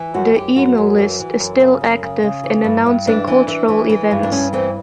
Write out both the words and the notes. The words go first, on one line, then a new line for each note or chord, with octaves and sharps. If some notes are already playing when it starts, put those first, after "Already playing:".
The email list is still active in announcing cultural events.
Already playing: E3
F#2 F#4
F#2 G4
F#2 F#4
F#2
E3
E3
F#2
C#3
F#2
C#3
C#3
E3
G2
G2
E3 D4
E3
E3
E3
E3
G2
D4
G2 C#4
E3 C4